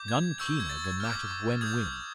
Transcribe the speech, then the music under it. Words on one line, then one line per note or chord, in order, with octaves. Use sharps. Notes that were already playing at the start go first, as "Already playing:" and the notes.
None keener than that of Gwen Wynn.
Already playing: D6 G6
G#6
C#6 E6 G6
G#6
A6
G#6
D6 F6
D#6 G6 G#6